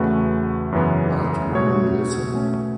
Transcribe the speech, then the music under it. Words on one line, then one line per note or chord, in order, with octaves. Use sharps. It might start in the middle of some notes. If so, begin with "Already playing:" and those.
White Woman Listen!
Already playing: E2 C#3 A3 F#4 B4
F#2 C#3 E3 B3
B2 A3 F#4 C#5
B2 A3 C#4